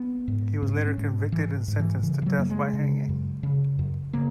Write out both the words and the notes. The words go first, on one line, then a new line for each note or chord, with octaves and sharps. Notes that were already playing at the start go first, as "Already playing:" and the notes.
He was later convicted and sentenced to death by hanging.
Already playing: B3
G#2
G#2 C#4
C#4
G#2
G#2 E3
G#2
E3
C#3 E3
E3
F#3
F#2 A#3
G#3
C#3
F#2
C#3
F#2
C#3 A#3